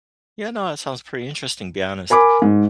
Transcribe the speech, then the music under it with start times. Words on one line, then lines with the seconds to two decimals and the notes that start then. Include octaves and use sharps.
Yeah, no, that sounds pretty interesting be honest.
2.10 A#4 G#5 B5 D6
2.42 G#2